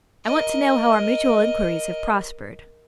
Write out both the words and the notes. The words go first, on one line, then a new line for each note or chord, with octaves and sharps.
I want to know how our mutual inquiries have prospered.'
A#4 D#5